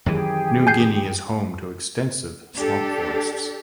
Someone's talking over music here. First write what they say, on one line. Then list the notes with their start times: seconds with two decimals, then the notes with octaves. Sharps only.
New Guinea is home to extensive swamp forests.
0.06 F#2 D#3 E3 G4 G#4 G5
0.67 G#5 G6 C7
2.56 D4 G4 A4